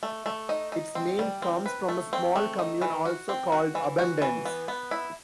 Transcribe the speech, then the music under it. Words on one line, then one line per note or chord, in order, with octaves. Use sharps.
Its name comes from a small commune also called Abondance.
A3
A3
D#4
D#4
C4
G3
C4
B4
A3
C4
A3
D#4
E3
F#4
C4
F#4
E3
F#4
E3
B3
B3
E4